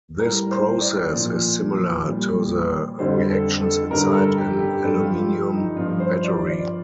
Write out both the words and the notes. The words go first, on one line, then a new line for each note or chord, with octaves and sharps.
This process is similar to the reactions inside an aluminium battery.
A2 G3 A#4
C5
D5
A#2 F3
A#2 G3
F2 D3 G3 C5
A4
A4
G2 D3 G3 A#4
A#4
A4
G4
G4
G2 F3 A4
F4
G4
D#4
G2 F3 F4
C5
D5
D5